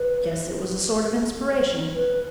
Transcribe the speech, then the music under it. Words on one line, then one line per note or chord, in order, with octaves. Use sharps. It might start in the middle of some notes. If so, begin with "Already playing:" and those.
Guess it was a sort of inspiration.
Already playing: B4
B4